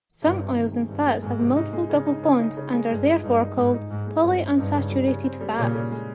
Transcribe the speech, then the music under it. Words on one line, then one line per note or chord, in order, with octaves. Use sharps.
Some oils and fats have multiple double bonds and are therefore called polyunsaturated fats.
G2 C3
C3
D#3
G#3
G2 C3
G#3
G#2 G#3
C3
D#4
G#3
C#3
D#4
C#3
D#4
C#3
G#3
G2 G#3
D#4
G2 D#4
D#4
G#2 G#3
D#4
G#2 D#4
G#3
G2 C4
C4
G2 D#4
C#3
G3
C#3
C4
G3
A#2 C#3
C#3
G#3